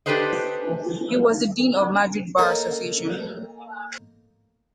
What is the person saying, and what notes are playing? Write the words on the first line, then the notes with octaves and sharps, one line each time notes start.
He was the Dean of Madrid Bar Association.
D4 G4 A4 B4 C5 D#5
A#3 D#4 A4 C#5